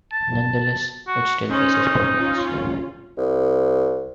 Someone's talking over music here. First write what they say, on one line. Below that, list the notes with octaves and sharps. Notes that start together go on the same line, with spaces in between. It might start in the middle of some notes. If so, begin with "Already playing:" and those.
Nonetheless, it still faces problems.
A5
F#4
C#4 D#4 C5
C#4 F4
C2